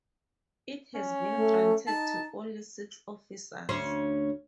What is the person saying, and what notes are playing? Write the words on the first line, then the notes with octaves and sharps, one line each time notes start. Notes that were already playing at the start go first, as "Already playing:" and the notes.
It has been granted to only six officers.
C#4
A3
D#4 A5
D2 C#4 C5